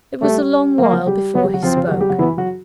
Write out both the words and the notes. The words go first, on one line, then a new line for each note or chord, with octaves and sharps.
It was a long while before he spoke.
G3 A3 G4
F#3 A#3 F#4
F#3 F#4
G3 G4
F#3 B3 F#4
G3 G4
F#3 F#4
F3 C4 F4
F3 F4
G4
F#3 F#4
G3 G4
F#3 F#4
E3 B3 E4
F#3 F#4